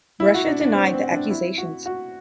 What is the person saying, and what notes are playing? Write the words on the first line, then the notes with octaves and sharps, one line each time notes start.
Russia denied the accusations.
E4
F#4
D4
D4
C4
C4
D4
E4
F#4
F#4